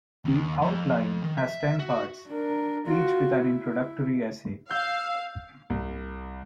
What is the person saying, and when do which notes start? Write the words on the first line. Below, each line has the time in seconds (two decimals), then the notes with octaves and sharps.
The "Outline" has ten Parts, each with an introductory essay.
0.25 D#2
0.61 F2
1.23 D#3
1.38 E5
1.80 F#4
2.28 D4 A#4
2.86 F4 F#4
3.40 E4
4.71 F5 E6 G6
5.70 C2